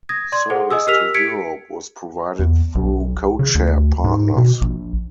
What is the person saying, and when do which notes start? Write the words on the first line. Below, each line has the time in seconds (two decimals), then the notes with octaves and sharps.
Service to Europe was provided through codeshare partners.
0.09 D#6 G#6 A#6
0.32 D5 C6 G#6
0.50 G#4 A4 C5 F#5
0.71 D#5 G#5 D#6 E6
0.87 G4 A#4 E6 F6 B6 F7
1.14 G4 G#6 B6 C#7 D7
2.39 E2
2.75 B1
3.39 C#3
3.55 D2
4.04 G#2
4.36 B2
4.61 A#1